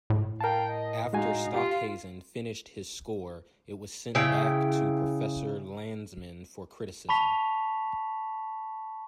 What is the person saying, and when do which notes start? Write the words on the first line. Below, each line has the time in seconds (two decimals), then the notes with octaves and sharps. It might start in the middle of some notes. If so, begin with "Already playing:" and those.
After Stockhausen finished his score, it was sent back to Professor Landesmann for criticism.
0.10 A2
0.41 A#4 F5 G5 A5
0.69 D#5
1.13 G#3 D#4 F#4 F5 G#5
1.54 F4 G4
4.15 C#3 E4 G5
7.09 A5 B5 C#6 B6 F7